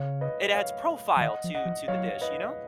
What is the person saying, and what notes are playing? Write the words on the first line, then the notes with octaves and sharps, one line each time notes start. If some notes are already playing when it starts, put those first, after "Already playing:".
it adds profile to to the dish, you know?
Already playing: C#3 C#5 F5
B4 D#5
C#5 F5
F3
D#3 D#5 F#5
F3
D#5 F#5
F3
F#3 C#5 F5
B4 D#5